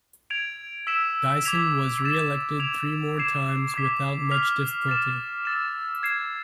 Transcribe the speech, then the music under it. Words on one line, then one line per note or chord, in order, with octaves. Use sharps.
Dyson was reelected three more times without much difficulty.
G#6 D7 F7
E6 B6 E7
D6 G#6 B6 F7
D6 A6 E7
D6 G#6 D7 F7
D6 G#6 C7 E7
D6 G#6 B6
F6 B6 F7
A6 E7
E6 A6 E7
G#6 C7 E7